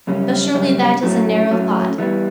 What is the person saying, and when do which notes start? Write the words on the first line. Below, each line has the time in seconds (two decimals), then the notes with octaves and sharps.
But surely that is a narrow thought.
0.07 F#2 C#3 G3 C#4
0.54 F#2 C#3 G3 C#4
1.03 A2 F#3 A3 C#4
1.50 A2 F#3 A3 C#4
1.98 E3 G3 B3